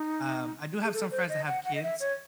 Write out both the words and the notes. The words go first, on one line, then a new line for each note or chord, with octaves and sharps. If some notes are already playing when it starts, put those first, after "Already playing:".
um, I do have some friends that have kids,
Already playing: D#4
G#4
A4
C5
D#5
F#5
F#5
D#5
E5
C#5